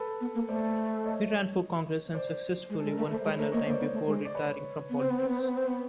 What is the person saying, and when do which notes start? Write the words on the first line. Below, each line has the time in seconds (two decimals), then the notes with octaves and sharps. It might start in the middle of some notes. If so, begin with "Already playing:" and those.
He ran for Congress unsuccessfully one final time before retiring from politics.
Already playing: A4 B4
0.21 B3
0.35 A#3
0.49 A3 C5 D5
1.04 C#5 D#5
2.14 C5 D5
2.70 G#3
2.80 G#3 A4
2.91 A#4
2.97 A3
3.02 B4
3.11 A3
3.13 C5
3.24 G#3 B4 C#5
3.38 A3 A#4 C5
3.52 A#3 C#5 D#5
3.66 A#3 C5 D5
3.79 B3
3.93 A3
4.07 G#3
4.25 D5
4.35 B4 C#5
4.90 B3
5.00 C4
5.10 B3
5.19 C4
5.29 B3
5.39 C4
5.48 B3
5.57 C4
5.67 B3